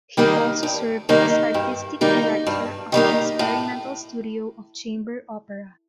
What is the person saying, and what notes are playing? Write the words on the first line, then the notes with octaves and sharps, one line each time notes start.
He also served as artistic director of the Experimental Studio of Chamber Opera.
D#3 G3 A#3 D#4
G2
D#3 G3 A#3 D#4
G2
D#3 G3 A#3 D#4
G2
D#3 G3 A#3 D#4
A2